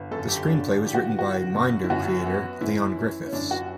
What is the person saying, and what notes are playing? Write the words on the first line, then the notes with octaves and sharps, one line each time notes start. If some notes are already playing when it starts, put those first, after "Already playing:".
The screenplay was written by Minder creator Leon Griffiths.
Already playing: G1
F#2 A4
G4
G1 D4
D4
E3 G4
F#4
G1 F#4
F#2
E4
F#2 F#4
B3
F#2 E4
E3
C#4
F#2 D4
F#4